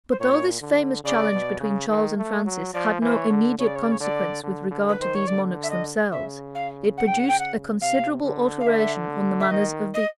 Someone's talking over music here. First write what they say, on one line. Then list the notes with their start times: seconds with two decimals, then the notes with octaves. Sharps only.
But though this famous challenge between Charles and Francis had no immediate consequence with regard to these monarchs themselves, it produced a considerable alteration on the manners of the age.
0.10 C5
0.19 A#2 C#5
0.62 D3
1.04 C#3 D5
1.32 B2
1.60 C#3
1.89 D#3
2.17 A3
2.45 F#3
2.74 F3 D5
3.02 E3 C5
3.16 C#5
3.30 D3
3.58 C#3 C#5
3.67 D5
3.75 C#5
3.83 D5
3.91 C#5
4.01 D3 D5
4.44 D3
4.71 D3
4.88 B4
4.99 D#3 C5
5.14 C#5
5.27 D3 D5
5.63 E5
5.70 D#5
6.12 C#3 E5
6.55 F5
6.97 F#5
7.07 G5
7.18 F#5
7.28 G5
7.39 F#5
7.81 C3 F5
8.23 D3
8.60 F5
8.66 D3 E5
9.40 E5
9.51 D#3 D#5
9.94 D#5